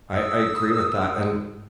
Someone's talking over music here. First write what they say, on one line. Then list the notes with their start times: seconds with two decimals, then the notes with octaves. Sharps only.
I I agree with that, and
0.12 D#6 E6